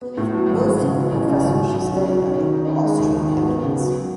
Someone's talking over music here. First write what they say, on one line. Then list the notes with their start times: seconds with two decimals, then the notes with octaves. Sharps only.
Most of the professors she studied under were Austrian emigrants.
0.02 B3
0.17 A2
0.33 F#3
0.49 G#1
0.65 G#3
0.80 C#3
0.96 E3
1.12 A1
1.27 C#3
1.43 G#1
1.58 F#3
1.74 B1
1.90 C#4
2.06 B2
2.22 C#4
2.37 D#3
2.53 D#4
2.68 D#3
2.84 G#3
2.99 D#2
3.15 D#3
3.31 G#1
3.47 B3
3.63 C#3
3.78 F#3